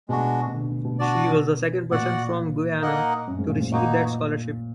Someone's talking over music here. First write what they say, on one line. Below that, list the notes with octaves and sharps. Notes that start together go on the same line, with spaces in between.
She was the second person from Guyana to receive that scholarship.
B2 G#3 D4 F#4
B2
D3
D3
B2
D4 F#4 D5
A#2 F#4 D5 F#5
A#3 D#4 A#4 D#5 F#5
F#2
G#2
A#2
G#2
A#2 A#3 D#4 F#4